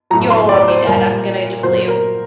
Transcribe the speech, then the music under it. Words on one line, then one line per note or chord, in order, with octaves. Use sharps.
you all want me dead, I'm gonna just leave."
A2 F#3 A#5
C6
D5
C5
A#2 G3 A#4
A#2 F#3 C5
A#4